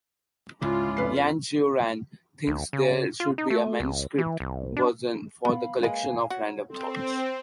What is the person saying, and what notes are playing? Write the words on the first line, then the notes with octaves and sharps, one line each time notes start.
Yan Xiaoran thinks there should be a “manuscript” version for the Collection of Random Thoughts.
C#2 G#2 C#3 C#4 E4 F4 D6
F1 B4 C7
D2
C#3
F4
D#4
A3
C#2
E3
C2
D4
B3 F5 B5
G#3 A#3 B4 F5 G#5
F#4 C#5
C4 A4 D5 C6